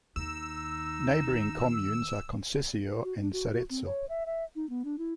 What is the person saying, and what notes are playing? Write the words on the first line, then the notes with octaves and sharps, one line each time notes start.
Neighbouring communes are Concesio and Sarezzo.
D#2 D#4 E6
F#4
D4
F#4
F#4
C4
C#5
E5
E5
D#4
B3
D4
E4